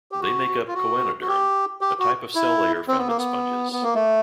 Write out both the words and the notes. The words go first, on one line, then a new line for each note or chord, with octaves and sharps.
They make up Choanoderm, a type of cell layer found in sponges.
G4
F#4
F4
F#4
F#4
G4
G4
F#4
E4
C4
B3
A#3
B3
B3
A#3
A3